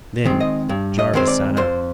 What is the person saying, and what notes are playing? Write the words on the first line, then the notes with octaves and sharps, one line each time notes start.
Then Jarvis sat up.
D#3 G#3 C4
D#5
G2
D#5
D#3 G#3 C4 C5
D5
F2 C5